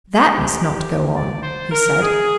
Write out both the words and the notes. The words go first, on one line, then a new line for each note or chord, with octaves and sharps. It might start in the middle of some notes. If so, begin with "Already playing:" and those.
"That must not go on," he said.
G2 D3 F3 G4
D5
C5
A#4
G#4